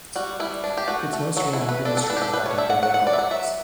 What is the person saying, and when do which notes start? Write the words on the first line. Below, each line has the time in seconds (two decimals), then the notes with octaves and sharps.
Its most renowned industry is that of dairy products.
0.16 G3 F#4
0.40 G3 E4
0.64 D4
0.77 G4
0.88 A3 F#4
1.13 A3
1.37 F#3 F#4
1.53 E4
1.60 A3
1.69 B4
1.85 D4 A4
1.97 A4
2.10 D4 B4
2.17 G4
2.22 A4
2.34 G3 B4
2.46 C#5
2.58 D4 E5
2.70 F#5
2.82 F#3 F#5
2.94 F#5
3.07 F#3 D5
3.13 E5
3.19 F#5
3.31 F#3 E5